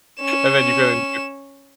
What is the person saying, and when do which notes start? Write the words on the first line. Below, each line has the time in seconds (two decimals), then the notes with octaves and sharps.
And then you go in
0.22 C#4 E7